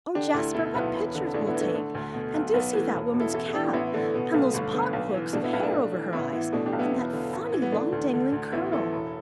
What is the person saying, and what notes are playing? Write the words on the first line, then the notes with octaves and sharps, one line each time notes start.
"Oh, Jasper, what pictures we'll take--and do see that woman's cap! and those pot-hooks of hair over her eyes, and that funny, long dangling curl!"
D3 D4 G4
D2 E4 A4
B2 E4 A4
B1 B3 E4
E1
D3
A1 A3 D4
B3 E4
E3
A3 D4
D3 A3
D2
B2
B1
B1 B3
E3 A3
E1
B2
E4 A4
A1 E4 A4
A4
E3 D4 G4
A1 B3 E4
D3 A3 D4
B2 B3
B1 A3
G1 A3
D3 B3
B1
E3
B2 A3 D4
B3 E4
B1 B3 E4
A3 D4
B1
E3
A1 B3 E4
E3 B3 E4
B2 A3 D4
D4 G4
B1
B3 E4
E1
D3
A1
E3
B3
D3 A3 D4
D2
D3
D2
A1 B3 E4
E3 E4 A4
E1